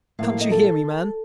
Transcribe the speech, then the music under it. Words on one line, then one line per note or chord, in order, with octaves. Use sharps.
Can't you hear me, man?
A2 F3 A#3 F5
F5
D#5
A4